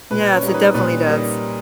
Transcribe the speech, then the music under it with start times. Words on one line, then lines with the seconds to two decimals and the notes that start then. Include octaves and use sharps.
Yes, it definitely does.
0.11 A#2 B4
0.32 C#4 C#5
0.42 G3 A#3 D#4
0.54 B4
0.74 A#2 B4
1.06 G3 A#3 D#4